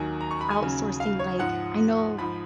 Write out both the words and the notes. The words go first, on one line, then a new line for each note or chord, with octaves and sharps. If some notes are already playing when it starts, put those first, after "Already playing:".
outsourcing, like I know,
Already playing: D#2 D#3 F#3 G#5
A#5
C#6
B5
G#5
D#2 C#3 F#3
F5
C#5
G#2 F3 F#5
G#2 F3 B5